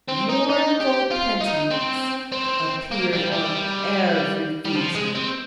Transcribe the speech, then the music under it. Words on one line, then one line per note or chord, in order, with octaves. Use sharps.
Mournful penitence appeared on every feature.
C4
D#4
D#4
G4
F4
D#4
C4
C4
A#3
G3
G3
G3
F3
G#3
C4